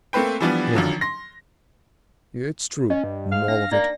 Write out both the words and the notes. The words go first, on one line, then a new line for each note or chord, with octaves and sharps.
HIM: It's true, all of it.
A3 A#3 C4 B4 G5
E3 F3 G3 B3 D4
G#1 D3 F3 F#3
C6 A#6
C#4 D#5
G2
G#2 F5
D4 A#6
A#3 D#4 D5 G5